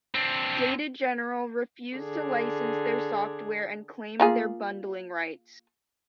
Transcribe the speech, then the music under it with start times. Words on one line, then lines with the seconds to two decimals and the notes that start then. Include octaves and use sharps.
Data General refused to license their software and claimed their "bundling rights".
0.15 C4 D4
1.98 D3 G#4
4.20 A#3 F4 G#4